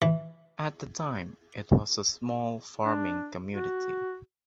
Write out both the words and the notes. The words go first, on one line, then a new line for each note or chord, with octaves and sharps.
At the time it was a small farming community.
E3
D4
F#4